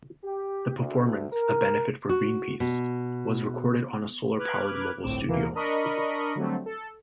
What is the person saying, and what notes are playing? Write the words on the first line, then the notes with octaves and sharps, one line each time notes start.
The performance, a benefit for Greenpeace, was recorded on a solar-powered mobile studio.
G4
D2
A#4
F#4
B2
B4 D6 F6 F#6 G#6
G1 C2 A2 C4 D6 E7
D#2 B2 E3 A#3
D4 A#4 D#5 B5 C#6
D3 F#3 G3 A3 C4
A4